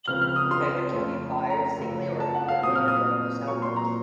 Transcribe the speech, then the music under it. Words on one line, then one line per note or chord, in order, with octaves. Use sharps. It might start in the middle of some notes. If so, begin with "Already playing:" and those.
The Penguin can be fired singly or in coordinated-arrival salvoes.
C#2 C#3 F3 C4 F6
F6
D#6
C6
F2 C#3 A3 C#4
A#5
A#5
F#2 C#3 F3 A3
A5
F#5
F5
A#2 F#3 C4 D#6
F6
D#6
A#2 F#3 A#3 C#6
C6
A#5